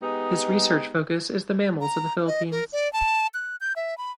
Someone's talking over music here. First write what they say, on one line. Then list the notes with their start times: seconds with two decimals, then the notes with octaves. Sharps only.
His research focus is the mammals of the Philippines.
0.02 G#3 B3 D#4 G4
1.81 A#5
2.27 D#5
2.51 A#4
2.73 D5
2.93 A5
3.34 F#6
3.61 G6
3.76 E5
3.98 B5